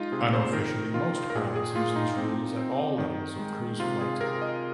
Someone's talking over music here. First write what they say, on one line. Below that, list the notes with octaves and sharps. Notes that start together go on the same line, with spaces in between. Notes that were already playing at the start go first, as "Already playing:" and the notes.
Unofficially, most pilots use these rules at all levels of cruise flight.
Already playing: G#3 D#4 F4
C3 G#4
C5
D#3 A#4
D#3 F4
A#4
A#2 G#4
G#4
A#2 F4
D#4
C4
C4
D#3
G#3
C3 F4
G#4
C3 A#4
D#5